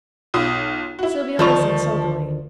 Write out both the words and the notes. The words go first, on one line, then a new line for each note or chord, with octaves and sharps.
Sylvia listened soberly.
B1 F4 D#6
E4 F#4
D2 D#3 F3 F4 A5 C#6